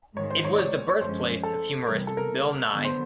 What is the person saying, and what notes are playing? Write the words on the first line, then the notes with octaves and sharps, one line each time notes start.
It was the birthplace of humorist Bill Nye.
G#2 D#3 G#3 C#5
C5
C#5
D5
C#5
C#5
F#2 D3 F3 G#3 C#4 C5
A4
C3 E3 G3 B3 A#4
A4
A#4
D3 F#3 B3
C5